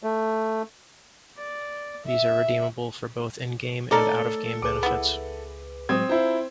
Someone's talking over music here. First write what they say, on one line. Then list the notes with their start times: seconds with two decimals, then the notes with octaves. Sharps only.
These are redeemable for both in-game and out-of-game benefits.
0.03 A3
1.37 D5
2.05 E5
3.91 A3 D#4 A4 A#4 C#5 D5 E6
4.62 C#2 G#4 B4 D6
4.83 B3 E4
5.89 A2 F#3 G#3 C4 D#6 G#6
6.09 E4 F4 C5 A#5